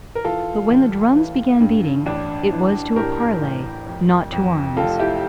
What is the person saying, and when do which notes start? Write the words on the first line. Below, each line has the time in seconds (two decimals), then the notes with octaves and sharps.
But when the drums began beating, it was to a parley, not to arms.
0.15 A#4
0.25 E3 F4 A4
0.70 A1
1.15 E3
1.60 G2
2.06 A1 D4
2.51 E3
2.96 A2 G4 A#4
3.42 A1
3.86 F2
4.32 F2
4.77 F1 F4 A4
4.99 E4 G4